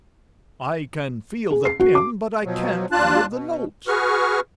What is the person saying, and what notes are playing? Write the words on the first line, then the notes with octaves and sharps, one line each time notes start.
"I can feel the pin, but I can't feel the notes!"
G#4
C7
F#4
D6
B2 F3 F#3
D#2 D4 F4 A5 F#6
B2
F#4 G#4 B4 C#6 F6